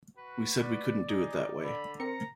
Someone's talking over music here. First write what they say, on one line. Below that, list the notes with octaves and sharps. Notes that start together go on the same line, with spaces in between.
We said we couldn't do it that way.
F#4 B4
D5
D#4 G#4
D3 B5
C4 A#4 A#5 C#7